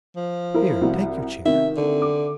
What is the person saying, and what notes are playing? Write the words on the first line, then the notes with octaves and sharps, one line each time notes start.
Here, take your chair.'
F3
E4 A#4
C2 E4 F#4
C3 D#3 E5
D3
D6